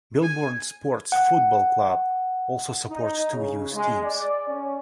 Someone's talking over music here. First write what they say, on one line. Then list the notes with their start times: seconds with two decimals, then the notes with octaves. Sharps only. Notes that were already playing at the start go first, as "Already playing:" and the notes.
Milborne Sports Football Club also supports two youth teams.
0.22 G#5
1.12 F#5
2.90 D#4
3.32 C#3
3.73 G#3
4.04 D5
4.47 C#4